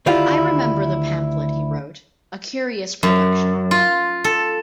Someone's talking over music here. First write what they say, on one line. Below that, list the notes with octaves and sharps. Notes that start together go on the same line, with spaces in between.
I remember the pamphlet he wrote — a curious production.
D2 D#3 E4 F4 G4 F5
F#2
F4
A4